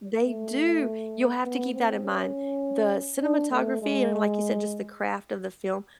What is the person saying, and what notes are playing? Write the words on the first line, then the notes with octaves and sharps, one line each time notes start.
They do, you'll have to keep that in mind, the cinematography and, like you said, just the craft of the film,
A3
B3
C4
C#4
D4
A3
G#3